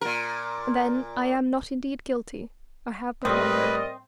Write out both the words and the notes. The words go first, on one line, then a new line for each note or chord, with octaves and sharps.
And then, I am not indeed guilty: I have but wandered.
A#2 A#4
A2 G3 C4 A#4 B4 D5 D#5